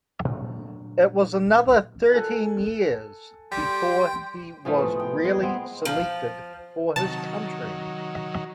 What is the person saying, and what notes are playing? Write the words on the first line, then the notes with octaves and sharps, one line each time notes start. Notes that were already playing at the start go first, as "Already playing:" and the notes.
It was another thirteen years before he was really selected for his country.
A#2 D3 F#3 A3
A4 G#5 F#6
G3 G5 C6
A2 E3 F3 A3 G#4
G#3 B3 D#5
G5
G#3
B3 C4
F3
C3 D#3 F#3 A5